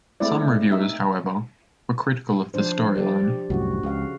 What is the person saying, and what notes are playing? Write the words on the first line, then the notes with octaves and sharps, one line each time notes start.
Some reviewers, however, were critical of the storyline.
G#3 A3 C4 E4 D5
D#4 E5
F3 D4 C5
G4 D5
C2 F#2 A2 F#4
C#2 C#3 F5